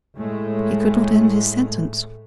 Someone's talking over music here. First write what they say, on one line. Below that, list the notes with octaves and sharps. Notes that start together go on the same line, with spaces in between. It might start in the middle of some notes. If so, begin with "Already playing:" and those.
He could not end his sentence.
A2 G#3 A3